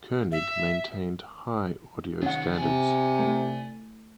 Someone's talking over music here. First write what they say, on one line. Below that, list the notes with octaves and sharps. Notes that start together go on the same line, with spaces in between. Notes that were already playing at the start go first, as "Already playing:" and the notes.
Koenig maintained high audio standards.
E5
C3 D#3 C#4 F#5
C3 D5 G#5
A3